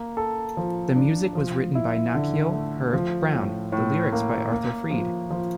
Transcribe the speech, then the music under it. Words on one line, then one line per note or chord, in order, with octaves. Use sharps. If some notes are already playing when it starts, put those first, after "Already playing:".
The music was written by Nacio Herb Brown, the lyrics by Arthur Freed.
Already playing: A#3
A4
F3
D4
F3
E4
D3
A3
F3
A2
A2
A#3
A#3
F3
F3